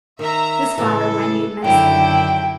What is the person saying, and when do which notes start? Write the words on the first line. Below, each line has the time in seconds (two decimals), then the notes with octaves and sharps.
This flattered Wendy immensely.
0.19 D#3 E5 A#5
0.78 A2 C#3 E3 A4
1.64 F#2 D3 D#3 F#3 D4 E4 G5